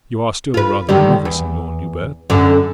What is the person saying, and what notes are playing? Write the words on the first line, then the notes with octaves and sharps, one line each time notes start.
You are still rather a novice in your new berth.
F4 B4
D3 D#3 G3
E2
F#2 D3